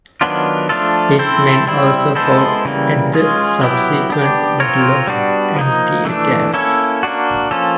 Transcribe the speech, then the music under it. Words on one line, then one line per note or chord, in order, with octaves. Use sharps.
His men also fought at the subsequent Battle of Antietam.
D#3 F#3 B3 D4 F4
F3 A3 D4 F4 A4
C4 E4 A4 C5
G3 C4 E4
G#3 B3 E4 A4 C5
C#3 E3 G3 A#3
G#3 C#4 F4 G#4
F#3 B3 E4 G4
B3 D4 G4
C4 F4 A#4 C#5
G3 B3 D4 F#4
F3 A#3 D#4
E3 A3 D4
A#3 C#4 E4 A4 C#5
A#3 D4 F#4
F3 A#3 C#4 F4 A4